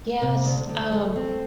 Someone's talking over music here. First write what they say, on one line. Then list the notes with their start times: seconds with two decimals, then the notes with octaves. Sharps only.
Yes, um,
0.22 C3
0.45 D2
0.69 D2
0.92 A3
1.16 C4